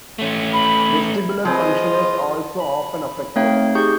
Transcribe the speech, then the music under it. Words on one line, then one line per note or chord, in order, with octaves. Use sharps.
Vestibular function is also often affected.
A3 C#4
B5
F3 C4 F4 G#4 B4 C5 D#5
B5
A3 C4 D#4 C#5 F5 G5
D#4 G4 G#4 C#6 G6